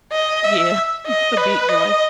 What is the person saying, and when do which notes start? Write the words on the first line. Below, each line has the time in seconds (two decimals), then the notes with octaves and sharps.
Yeah, just, a big joy.
0.12 D#5
0.44 E5
1.06 D#5
1.37 B4
1.69 D#5